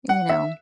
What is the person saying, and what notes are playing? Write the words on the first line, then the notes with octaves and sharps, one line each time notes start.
you know
F#5
E5